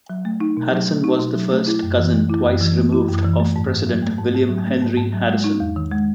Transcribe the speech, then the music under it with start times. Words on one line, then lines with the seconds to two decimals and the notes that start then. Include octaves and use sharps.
Harrison was the first cousin twice removed of President William Henry Harrison.
0.09 F#3
0.25 A3
0.40 D#4
0.57 B2
0.72 F#3
0.89 A3
1.04 D#4
1.19 B2
1.35 F#3
1.52 A3
1.67 E4
1.82 F#2
1.98 E3
2.14 A3
2.30 E4
2.45 F#2
2.61 E3
2.77 A3
2.93 E4
3.08 F#2
3.24 E3
3.40 A3
3.56 G#2
3.71 G#2
3.87 F#3
4.03 A3
4.18 G#2
4.34 G#2
4.49 F#3
4.66 A3
4.82 G#2
4.97 G#2
5.13 F#3
5.28 G#3
5.44 D#4
5.60 E2
5.76 D#3
5.92 G#3